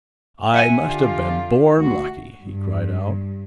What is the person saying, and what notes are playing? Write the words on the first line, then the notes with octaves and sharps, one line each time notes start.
"I must have been born lucky," he cried out.
E5 F#5 G#5
D3 F4 G4
D2 F#4
G2